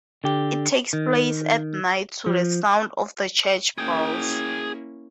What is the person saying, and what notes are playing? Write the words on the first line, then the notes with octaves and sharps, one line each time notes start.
It takes place at night to the sound of the church bells.
D3 G4
D#3
F3
A#3 C#4 E4 G#4 G5